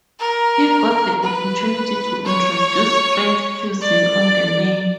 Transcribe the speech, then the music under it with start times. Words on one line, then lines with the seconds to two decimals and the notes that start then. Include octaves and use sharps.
He got the opportunity to introduce French cuisine on the menu.
0.20 A#4
1.23 B4
2.26 C#5
3.81 D5